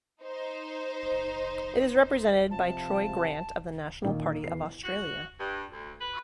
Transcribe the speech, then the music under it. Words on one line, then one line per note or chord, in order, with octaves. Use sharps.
It is represented by Troy Grant of the National Party of Australia.
D#4 C5
C3 F3 A5
A#2 D#3 A#3
E2 C7
F#4
G2
D2
B4